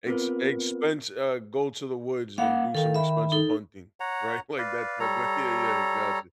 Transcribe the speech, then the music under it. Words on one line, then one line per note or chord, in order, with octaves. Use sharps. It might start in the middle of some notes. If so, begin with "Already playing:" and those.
ex expense uh, go to the woods and do some expensive hunting, right, like that type of yeah yeah, I gotcha.
B3 C4 F4 A#4 B4
A#3 F5 F#5
D#3 A4 F5
E5 B5
D#4 A4
C#5 F#5 A#5
B4 D5 F5
G3 A4 C#5 A#5